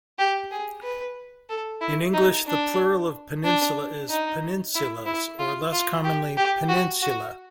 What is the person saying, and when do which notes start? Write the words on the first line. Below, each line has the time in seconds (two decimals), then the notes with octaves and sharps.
In English, the plural of peninsula is "peninsulas" or, less commonly, "peninsulae".
0.19 G4
0.51 G#4
0.83 B4
1.49 A4
1.81 E4
2.14 D#4
2.47 D4
3.44 D4
4.10 D#4
4.75 E4
5.06 E4
5.39 F4
5.72 F4
6.04 G4
6.37 G4
6.69 F#4
7.02 F#4